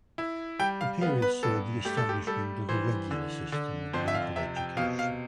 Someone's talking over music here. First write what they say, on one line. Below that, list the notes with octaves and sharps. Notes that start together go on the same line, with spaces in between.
The period saw the establishment of a regular system of legal education.
E4
G3 G5
F5
B3 F5
B4
G2 A4
A3 G4
A4
G4
G3 A4
E3 C5
D3
D3
F2 C5
E5
F5
C3 E5
G5
B2 F5
F5